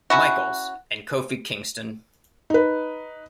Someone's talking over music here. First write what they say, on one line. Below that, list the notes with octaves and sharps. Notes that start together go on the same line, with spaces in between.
Michaels, and Kofi Kingston.
C#4 E4 F#4
D#4 B4